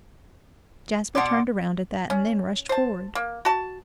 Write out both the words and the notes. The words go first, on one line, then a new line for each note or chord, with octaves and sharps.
Jasper turned around at that--and then rushed forward.
B2 D5 F#5 C6 D6
C#4
C5 A5
A#3
F#4 A5